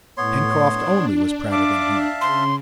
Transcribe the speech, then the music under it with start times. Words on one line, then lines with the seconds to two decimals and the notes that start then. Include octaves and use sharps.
Pencroft only was prouder than he!
0.17 A2 B3 C#5 C6
0.69 D4
1.52 E5 F5 A5 D6
2.21 C#3 C6